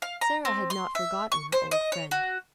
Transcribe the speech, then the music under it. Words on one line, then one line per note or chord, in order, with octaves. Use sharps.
Sara had not forgotten her old friend.
F5
A#5
C4
C6
E5
C#6
C5
D#5
C#5
F#4